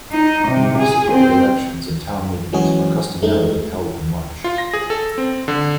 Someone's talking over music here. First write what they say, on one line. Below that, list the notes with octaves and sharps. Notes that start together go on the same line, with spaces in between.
Municipal elections and Town Meetings are customarily held in March.
D#4
C3
G#4
C4
E3 F#3 G#3 C#4 F#4 G#4
G#3 A3 D#4
F4
A#6
G#4
A4
C4
D3